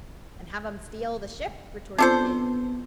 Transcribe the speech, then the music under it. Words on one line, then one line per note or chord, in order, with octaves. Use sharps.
"And have them steal the ship!" retorted Kidd.
B3 C4 D4 F4 A4 C5